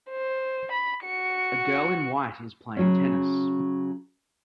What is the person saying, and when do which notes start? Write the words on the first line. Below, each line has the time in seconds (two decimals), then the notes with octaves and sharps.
A girl in white is playing tennis.
0.10 C5
0.72 B5
1.04 F#4 C#7
2.77 C#3 F#3 C#4